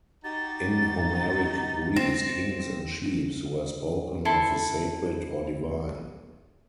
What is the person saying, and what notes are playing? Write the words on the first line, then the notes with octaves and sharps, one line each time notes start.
In Homeric Greece kings and chiefs were spoken of as sacred or divine.
D#4 F#4 G4 A6
C4 A#6 E7
E4 A4 C6